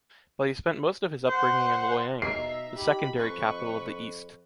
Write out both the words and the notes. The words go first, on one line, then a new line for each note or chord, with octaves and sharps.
But he spent most of his upbringing in Loyang, the secondary capital of the East.
C5 F#5
B2 D#4 E5 A#5 C7
D#4 G4 B5
F2 B4 C#6